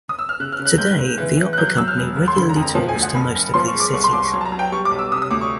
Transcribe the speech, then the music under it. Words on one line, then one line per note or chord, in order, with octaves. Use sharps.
Today, the Opera Company regularly tours to most of these cities.
D#6
E6
F6
C#3 F#6
F6
C#3
F#6
G#2 G6
F#6
G#2
E3
E3
F#6
F#3 G6
F#6
F#3 E6
F6
E1
E1
C6
D3 B5
A#5
F2
A#5
F3 A5
G#5
D2
F#5
F#1 B5
F#1
F3 C6
C#6
G#3
D6
C2 C#6
C6
C2 D6
C#6
F#3
A5
A#5
F#3
G5
G3 C#6
D6
B1
E6
C3 D#6
E6
D#6
D2 D6
C#6